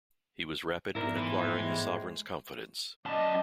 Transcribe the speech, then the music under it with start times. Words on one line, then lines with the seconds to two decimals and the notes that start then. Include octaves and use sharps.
He was rapid in acquiring the sovereign's confidence.
0.95 G#2 B3 E4 A#4 D5
1.18 A2 E3 C5
1.59 G#3
3.06 F#2 D5 D#5 A5